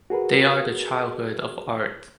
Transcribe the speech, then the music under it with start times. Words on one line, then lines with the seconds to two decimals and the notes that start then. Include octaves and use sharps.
They are the childhood of art.
0.10 F#4 G#4 A#4 B4